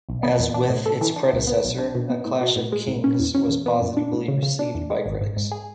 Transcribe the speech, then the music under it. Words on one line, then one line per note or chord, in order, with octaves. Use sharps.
As with its predecessor, "A Clash of Kings" was positively received by critics.
B1
B3
E2
D4
A2
A4
E3
D4
C#2
B3
B1
D4
B2
B3
A2
F#4
A2
G#3
A1
C#4
E2
C#4
E2
B3
F#2
D4
A2
C#3
C#3
D4
E2
G#3
G#1
G#2
G#2
G#4